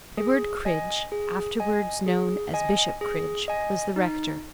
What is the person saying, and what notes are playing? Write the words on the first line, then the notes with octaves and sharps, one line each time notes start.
Edward Cridge, afterwards known as Bishop Cridge, was the rector.
G#4
D#5 G#5
G#4
D#5 G#5
G#4
D#5 G#5
G#4
D#5 G#5
D#4